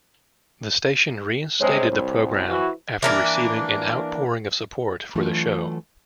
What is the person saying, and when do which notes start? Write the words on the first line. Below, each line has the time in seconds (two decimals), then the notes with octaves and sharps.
The station reinstated the program after receiving an "outpouring of support" for the show.
1.61 G2 C3 G#3 C5 C#5
1.90 C2
2.49 E3 F#4
3.03 E3 A#3 D4
5.15 E3 F#3 A3 D4 F4 A4